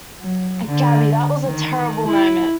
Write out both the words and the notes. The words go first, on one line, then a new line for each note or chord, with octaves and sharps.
Gabby, that was a terrible moment.
F#3
D3
D#3
E4